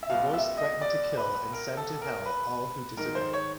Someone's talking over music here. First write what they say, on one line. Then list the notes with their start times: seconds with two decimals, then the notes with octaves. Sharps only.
The voice threatened to kill and send to Hell all who disobey.
0.03 E5
0.09 C#2 B2 F5
0.34 E5
0.57 D#5
0.81 D5
1.17 B4
1.53 A#4
1.77 A4
2.02 A#4
2.26 B4
2.97 G#2 D#3 A#4
3.15 C5
3.33 C#5